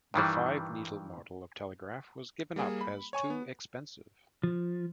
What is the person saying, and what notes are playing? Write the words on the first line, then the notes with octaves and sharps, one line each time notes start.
A five needle model of telegraph was given up as too expensive.
G2 D#3 E3 G3
G3 A#3 G#4
B5
C#5 G#5 C#6
B3
F3